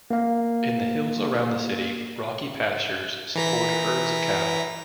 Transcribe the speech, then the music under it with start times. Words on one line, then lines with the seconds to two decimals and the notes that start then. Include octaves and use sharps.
In the hills around the city, rocky pastures support herds of cattle.
0.11 A#3 F5
3.35 E3 A#5 B6